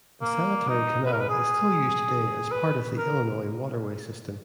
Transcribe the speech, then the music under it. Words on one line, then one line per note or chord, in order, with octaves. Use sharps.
The Sanitary Canal is still used today as part of the Illinois Waterway system.
A#3
D#4
B4
A#4
B4
G#4
B4
A#4